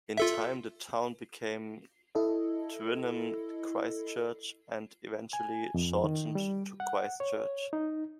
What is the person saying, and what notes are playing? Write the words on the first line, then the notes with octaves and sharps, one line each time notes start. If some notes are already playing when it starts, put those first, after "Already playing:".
In time the town became Twynham-Christchurch and eventually shortened to Christchurch.
F4 A4 E5
E4 A4 D#5
G#5
F2
D#3
G3
F#5
C#5
D#4